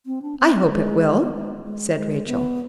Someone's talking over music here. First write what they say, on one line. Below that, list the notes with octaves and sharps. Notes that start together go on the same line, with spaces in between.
"I hope it will," said Rachel.
C4
D4
C4
C4
G#3
B3
G#3
G#3
G#3
B3